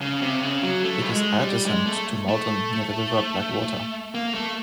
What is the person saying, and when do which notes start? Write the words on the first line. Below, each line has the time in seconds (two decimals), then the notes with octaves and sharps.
It is adjacent to Maldon, near the River Blackwater.
0.01 C#3
0.22 C3
0.42 C#3
0.63 F#3
0.84 A3
1.02 G3
1.11 G#3
1.39 G3
1.66 G#3
1.87 A3
2.29 A3
4.15 A#3
4.34 A3